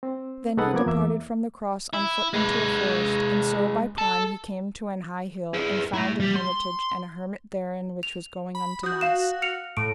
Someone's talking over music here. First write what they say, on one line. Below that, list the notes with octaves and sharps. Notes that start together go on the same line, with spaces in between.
Then he departed from the cross on foot into a forest; and so by prime he came to an high hill, and found an hermitage and a hermit therein which was going unto mass.
C4
C2 D#4 G#4 A4 B4 F#5
F3 A#3 B3 D6 G#6
E2 A#3 E5 D6
E4
G#3 B4
A4
G#4 B4
A3 E4
G3
C6
F7
B5
F#4 D#6 G6
F5 E7
F6 C#7 F7
A2 D7